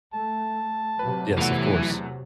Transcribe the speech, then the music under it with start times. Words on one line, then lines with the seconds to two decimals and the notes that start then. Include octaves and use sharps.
Yes, of course.
0.14 A3 A5
0.99 C3 F#3 B4
1.38 E2 E3 A3 F#5